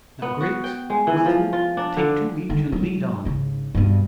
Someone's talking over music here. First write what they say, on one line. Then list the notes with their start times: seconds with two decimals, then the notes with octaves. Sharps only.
Now, Griggs--Wilton; take two each, and lead on.
0.22 B3
0.41 F#4
0.64 G5
0.90 G#3
1.07 E3
1.26 F3
1.53 F4
1.77 D4
1.97 D3
2.50 D3 D#3
2.72 F#3 G#3
3.25 G#1 C#3
3.75 G2 B2